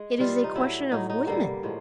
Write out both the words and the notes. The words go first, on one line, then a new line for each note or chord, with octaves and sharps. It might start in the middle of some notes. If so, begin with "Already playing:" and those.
It is a question of women.
Already playing: G#3
C3 E3 G3 F4
D#4
A2 F#3 E4
A2 F#3 D#4
D#4
G2 D3 G3 A#3
A2 F3 G#3